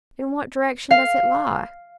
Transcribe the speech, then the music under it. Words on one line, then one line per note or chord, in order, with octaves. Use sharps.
'In what direction does it lie?'
F5